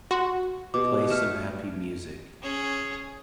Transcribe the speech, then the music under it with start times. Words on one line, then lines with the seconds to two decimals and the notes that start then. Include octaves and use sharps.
Play some happy music.
0.11 F#4 F#5 C6
0.74 B2 G4 D6
1.10 A3 F6 E7
2.42 C#4 G#4